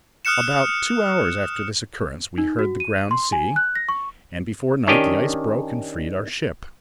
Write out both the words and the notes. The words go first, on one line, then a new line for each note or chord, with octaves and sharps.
About two hours after this occurrence we heard the ground sea, and before night the ice broke and freed our ship.
D#6 F6 F#6 C#7 E7
D#4
F#4
D#7
C6
G#5
F#6
A#6
C#6
D#3 C#4 D4 G4 D#5